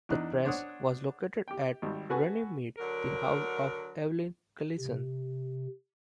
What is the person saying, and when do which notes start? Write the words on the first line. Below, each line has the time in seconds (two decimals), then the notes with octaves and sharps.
The Press was located at Runnymede, the house of Evelyn Gleeson.
0.09 E2 D4 D#4 F#6
0.45 D4 C5 C#5 F#5 D#6
1.48 G4 G5
1.82 G#1 G3
2.10 F#4 A4 B4 F#5 G#5 C#6
2.78 D3 F#3 A#4
4.78 C3